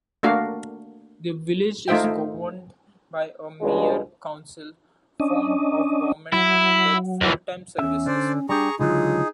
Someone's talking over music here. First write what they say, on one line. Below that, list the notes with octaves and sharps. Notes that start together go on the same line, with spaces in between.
The village is governed by a mayor-council form of government, with full-time services.
A3 A#3 D4 F#4 A#4 F5
A3 D#4 F4 C5 E5 G5
A3
C#2 G2 B2 G#3
C#4 D4 D#5
F#3 E4
D#2 E3
E2 C#4 E5
D3 C5 D5
G3 D4 G4 G#4 A#5 C#6
C#2 D3 F#3 D#4 F4 G#4